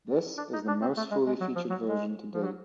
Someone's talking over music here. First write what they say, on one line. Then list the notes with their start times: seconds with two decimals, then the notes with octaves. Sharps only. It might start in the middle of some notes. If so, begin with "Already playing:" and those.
This is the most fully featured version to date.
0.37 D4
0.53 D#4
0.68 D4
0.82 C4
0.97 A3
1.11 G#3
1.27 G#3
1.41 F#3
1.56 F3
1.70 F#3
1.86 G#3
2.33 F3
2.44 F#3